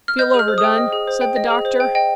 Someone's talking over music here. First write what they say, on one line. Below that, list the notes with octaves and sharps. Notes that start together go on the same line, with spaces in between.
"Feel overdone?" said the doctor.
F6
D#5 G6
G#4
F6
C5
D#6
G5
D#5
G#4
C5
G5
D#5
G#4
C5
G5
D#5 G5